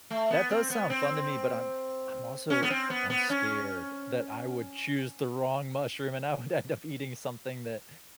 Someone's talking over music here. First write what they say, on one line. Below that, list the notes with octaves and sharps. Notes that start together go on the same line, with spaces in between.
That does sound fun to me, but, I'm I'm also I'm scared that I would choose the wrong mushroom, and I would end up eating something that
A3
B3
C4
B3
C4
C#4
B3
C4
B3
B3
C#4